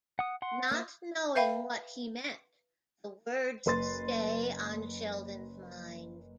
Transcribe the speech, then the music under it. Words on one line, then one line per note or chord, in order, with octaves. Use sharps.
Not knowing what he meant, the words stay on Sheldon's mind.
F#5 D#6
F#5 C6
A#3 C5 E5
B4 E5 F5 G5 B5
F#1 B4 C6 A6